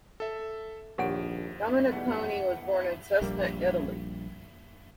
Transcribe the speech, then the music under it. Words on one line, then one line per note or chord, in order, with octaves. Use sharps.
Domeniconi was born in Cesena, Italy.
A4 E5
A#1 D#2 G4 C#5 F#5 D7
B1 E2 G3 F#5
A#1 G3 A#3